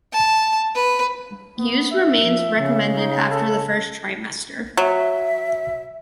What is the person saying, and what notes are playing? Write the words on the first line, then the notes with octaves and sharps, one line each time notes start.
Use remains recommended after the first trimester.
A5
B4
B3
E5
F3
C#3
D#4
A4
F#3 E5